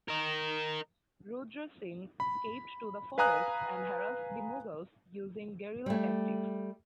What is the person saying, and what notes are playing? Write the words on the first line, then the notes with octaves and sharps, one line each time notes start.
Rudra Singh escaped to the forests and harassed the Mughals using guerilla tactics.
A#4 D#5
B5
B4 F5 G#5 A#5 D#6 F#6
G3 A3